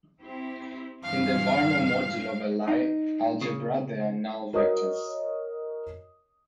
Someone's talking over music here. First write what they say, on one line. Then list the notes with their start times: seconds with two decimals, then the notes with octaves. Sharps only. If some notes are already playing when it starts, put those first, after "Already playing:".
In the Verma module of a Lie algebra there are null vectors.
0.21 C4 E4 G4
1.04 G2 C#3 E3 F5
2.68 D#4
3.41 C#3
4.53 F#4 A#4 C#5 D#5 D#6